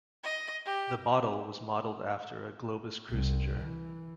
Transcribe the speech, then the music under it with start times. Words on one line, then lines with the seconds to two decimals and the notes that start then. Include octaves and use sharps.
The bottle was modeled after a Globus cruciger.
0.24 D#5
0.66 G4
3.11 C2
3.60 E3